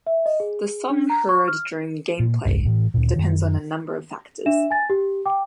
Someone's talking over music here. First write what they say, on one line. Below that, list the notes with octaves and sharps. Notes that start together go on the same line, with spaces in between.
The song heard during gameplay depends on a number of factors.
E5
D#5
G#4
D4
A#5
C#6
F6
A#2
E1 C2 G2
A2 E3
D2 A#2
F#2 D#3
D4 E5 E7
G#5 A6
G4
G5 D6